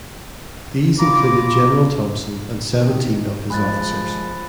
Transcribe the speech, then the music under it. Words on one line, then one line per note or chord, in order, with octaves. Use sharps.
These included General Thompson and seventeen of his officers.
F4 A#5 B5 D6
D#3
F3 G#3 B5 F#6 A6